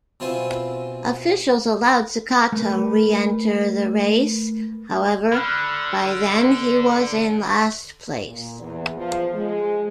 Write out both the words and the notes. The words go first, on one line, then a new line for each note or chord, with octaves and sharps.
Officials allowed Cecotto re-enter the race however, by then he was in last place.
B2 C4 E4 F4 C5 G#5
A3 A#4 B4
D3 B5 F6 F#6
A#2
E2
F3
G#3